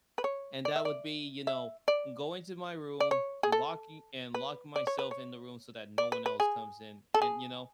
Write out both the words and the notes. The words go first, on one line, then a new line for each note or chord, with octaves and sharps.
and that would be, you know, going to my room, locking and lock myself in the room so that no one else comes in, and, you know
B4
C#5
D5
E5
D5
E5
D5
D5
C#5
G#4
A4
B4
D5
C#5
B4
C#5
D5
B4
B4
G#4
A4
G#4